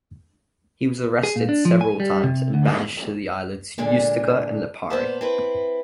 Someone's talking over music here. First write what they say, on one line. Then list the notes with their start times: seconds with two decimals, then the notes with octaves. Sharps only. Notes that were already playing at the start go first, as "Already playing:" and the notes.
He was arrested several times and banished to the islands Ustica and Lipari.
1.23 G#4
1.36 A#2
1.49 D4
1.65 F3
1.81 G#5
2.00 G3
2.24 C3
2.54 D2
3.78 A#2 D3 G#3 D4
4.90 A#2 B3 C5 A5
5.21 C4 E4 B4